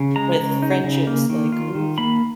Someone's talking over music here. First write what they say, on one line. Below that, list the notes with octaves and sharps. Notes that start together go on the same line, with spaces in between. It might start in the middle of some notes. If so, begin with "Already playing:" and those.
with friendships, like, "oof."
Already playing: C#3
G#3 A#5
C#3
D#4
C#3
A#3
D#3
F4
D#3
A#3 B5